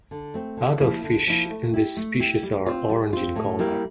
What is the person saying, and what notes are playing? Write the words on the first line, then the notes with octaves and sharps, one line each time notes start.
Adult fish in this species are orange in color.
D3
A3 C4
D3
F3 A#3 E4
D3
F3 A#3 E4
A3
E4 G4
A3
E4 G4
G3
C4 F4
G3
C4 F4
A2
G3 A#3 E4 A#4